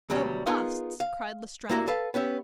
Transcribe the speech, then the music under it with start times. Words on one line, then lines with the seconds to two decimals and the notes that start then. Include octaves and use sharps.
"The busts," cried Lestrade.
0.10 D2 B2 F#3 G3 F#4 G4
0.47 B3 D#4 F4 G#4 A#4
1.00 F5
1.69 G2 A#3 E4 F#4 C5 A#5
1.88 A4 B4 F5
2.14 B3 C#4 G4 E5